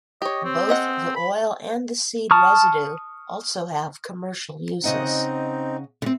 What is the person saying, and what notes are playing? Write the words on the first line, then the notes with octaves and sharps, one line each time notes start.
Both the oil and the seed residue also have commercial uses.
G4 C#5 D#5
C4
G#4 D#5 F#5
B5
A5 C#6 D#6 F6
C#3 C4 D#4 D#5 F#5
D3 C4